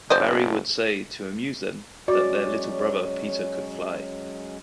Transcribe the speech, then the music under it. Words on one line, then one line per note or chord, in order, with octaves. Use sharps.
Barrie would say, to amuse them, that their little brother Peter could fly.
F#1 C5 D5 D#5
F#3 G#3 C#4 F#4 C#5 D5